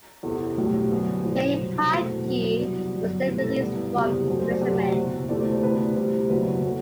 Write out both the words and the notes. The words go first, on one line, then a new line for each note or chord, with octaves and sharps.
Bayhaqi was then released from imprisonment.
E2 C3 E3 B3 A4
B1 A2 G3 C4
F#2 D3 G3 B3 B4
B1 A2 E3 A3 C5
C2 C3 F#3
E1 E2 B2 A3 C4
B1 B2 F#3 B3
C2 B2 F#3 B3 D5
G1 F#2 F#3
E1 D2 C3 E3 B4
A4
B4
G2 E3 B3 D5
F#1 E2 C3 G3 B3
F#2 F#3 A3 C5
C5
D5
D2 C3 F#3 C4 F#5
F#1 E2 B2
D2 C3 E3 A3 C4 D5
D5
C5
D2 C3 E3 B3 B4
D2 C3 E3 G3 C4
F#1 E2 B2 F#3 B4
B2 F#3 A3